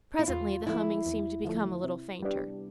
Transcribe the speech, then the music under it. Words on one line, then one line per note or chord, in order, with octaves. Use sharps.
Presently the humming seemed to become a little fainter.
E4
E2 F4
D3 F3 A3 E4
E2
D3 F3 A3
C3
G3 B3 D4 G4